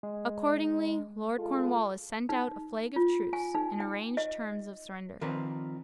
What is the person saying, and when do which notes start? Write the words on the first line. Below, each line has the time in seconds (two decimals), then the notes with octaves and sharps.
Accordingly Lord Cornwallis sent out a flag of truce and arranged terms of surrender.
0.03 G#3
1.36 G#3 F4 A4
2.29 D#4
2.96 F4
3.33 G#5
3.55 D#4
3.80 G5
4.17 D#5
5.21 D#3 F3 C4 A#4 B4 D5